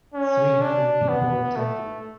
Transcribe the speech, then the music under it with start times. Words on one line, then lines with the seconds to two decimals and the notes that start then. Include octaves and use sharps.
Three hundred people attended.
0.14 C#4
0.61 D4
1.09 B3
1.56 A3